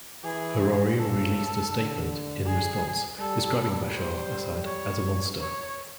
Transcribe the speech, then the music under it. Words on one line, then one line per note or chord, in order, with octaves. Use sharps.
Hariri released a statement in response, describing Bashar Assad as a "monster".
E3 G#4
C#3 A4
D3
G#4
G3 A4
C5
C#5
C#5